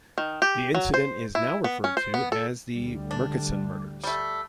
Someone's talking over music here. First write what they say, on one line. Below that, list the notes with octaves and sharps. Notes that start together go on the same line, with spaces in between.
The incident is now referred to as the Murchison Murders.
D#3
G4
F#3
C5
E4
B3
C#4
C5
B3
A4
D2 D3 G3
D4
G3 A3